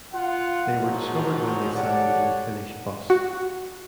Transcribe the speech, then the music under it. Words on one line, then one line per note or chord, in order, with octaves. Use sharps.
They were discovered when they sang in a Finnish bus.
F4 F#5
G#2 D#3 F3 F#3
G4 A4 C#5 D5 F#5
F#4